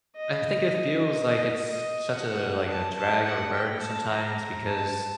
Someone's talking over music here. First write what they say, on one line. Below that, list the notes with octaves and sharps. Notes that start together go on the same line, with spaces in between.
I think it feels like it's such a, like, a drag or a burden sometimes, because,
D#5
D#5
D#5
F#5
A5
A5
F#5
G5
A5
A#5
A5